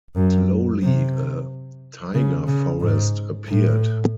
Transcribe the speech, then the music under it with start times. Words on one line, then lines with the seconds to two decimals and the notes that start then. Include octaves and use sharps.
Slowly a taiga forest appeared.
0.15 F#2
0.82 C3
2.14 C#3
2.47 C#3
2.80 G#2
3.47 A2